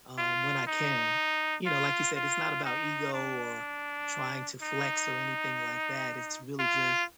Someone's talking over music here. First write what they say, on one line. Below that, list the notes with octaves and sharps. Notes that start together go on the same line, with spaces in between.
um, when I can. You know, like you said, it's not about ego, or trying to flex, or anything like that, it's really just
F4
D#4
F4
F4
D#4
D4
D#4
F4